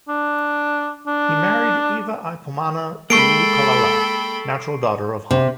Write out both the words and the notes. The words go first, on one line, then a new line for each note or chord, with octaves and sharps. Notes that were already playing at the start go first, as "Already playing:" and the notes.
He married Eva-i-pomana Ulukalala, natural daughter of Hon.
D4
D4
G#3 A#3 A4 G5 B5 C#6 C7 D7
C3